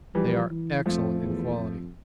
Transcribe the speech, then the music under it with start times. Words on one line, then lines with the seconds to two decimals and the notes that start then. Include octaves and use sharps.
They are excellent in quality.
0.14 E3 F3 G3
0.50 E3
0.86 F2 F3 A3
1.22 E2
1.57 F2